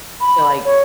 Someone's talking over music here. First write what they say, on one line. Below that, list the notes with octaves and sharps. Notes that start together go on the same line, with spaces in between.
So, like
B5
C#5